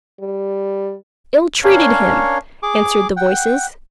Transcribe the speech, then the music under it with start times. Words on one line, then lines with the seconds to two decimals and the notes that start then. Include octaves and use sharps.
'Ill-treated him!' answered the voices.
0.20 G3
1.64 C#4 D4 A#4 C#5 F5
2.63 G#4 D6
3.17 F#5 G5